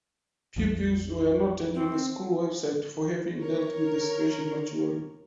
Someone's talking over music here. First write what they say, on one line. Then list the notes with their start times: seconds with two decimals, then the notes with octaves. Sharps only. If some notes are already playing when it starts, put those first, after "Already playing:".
Pupils were noted on the school's website for having dealt with the situation maturely.
0.56 A#1 F2 F3
1.74 C4
3.36 A#4 C#5